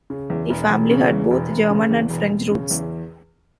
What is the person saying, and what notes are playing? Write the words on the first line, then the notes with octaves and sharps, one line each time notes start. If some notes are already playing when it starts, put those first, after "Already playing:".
The family had both German and French roots.
C#3
E2
E1
E1
C#3
E2
E1
E1
C#3
E2
E1
E1
C#3
E2